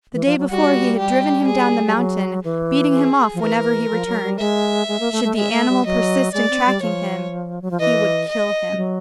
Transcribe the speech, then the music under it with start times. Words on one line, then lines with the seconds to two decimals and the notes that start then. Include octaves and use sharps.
The day before he had driven him down the mountain, beating him off whenever he returned. Should the animal persist in tracking him, he would kill him.
0.13 E3
0.26 F3
0.38 F#3
0.50 G3 F#4
0.98 G4
1.47 G#4
1.86 G3
1.96 F#3
2.44 E3
2.94 G#4
3.34 F3
3.42 E3 A#4
3.91 F3
4.07 F#3
4.23 G3
4.39 G#3 E5
4.88 G#3
5.00 A#3
5.12 A3
5.24 A3
5.36 G#3 E5
5.52 A3
5.69 G3
5.85 F#3 D#5
6.34 G#3 D5
6.50 C4
6.66 G3
6.82 F3 C#5
7.62 F#3
7.71 F3
7.80 E3 D#5
8.28 D#5
8.72 G3
8.77 F#3